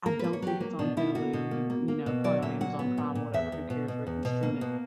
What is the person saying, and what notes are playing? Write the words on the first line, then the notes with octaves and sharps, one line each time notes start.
I don't think it's on Hulu, y you know, probably on Amazon Prime, whatever, who cares where you can stream it?
A#3 A#4
B4
A#3
C#5
F#3 G4
A#3
B2 D4
B2 E4
A#3 F#4
B2
A#3
A#3
A#3
B2
F#3 D5
A#2 E5
F#3 F#5
B3
A#2
A#2
E2 E5
E2
B2
B2
E2
B2
A#3
B2